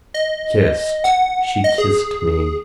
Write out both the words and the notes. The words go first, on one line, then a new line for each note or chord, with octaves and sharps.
Kissed, she kissed me.
D#5
F#5
D#5
G#4